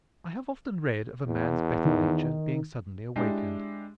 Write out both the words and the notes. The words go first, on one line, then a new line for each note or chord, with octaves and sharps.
I have often read of a man's better nature being suddenly awakened.
E2
D#3
G#3 D4 E4 G4